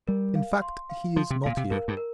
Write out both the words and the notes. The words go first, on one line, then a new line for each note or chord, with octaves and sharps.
"In fact, he is not here...."
G3 A#4
F5
C6
F5
F3 C6
C3
A#2 F5
C3
G2 A#4
G2
A#4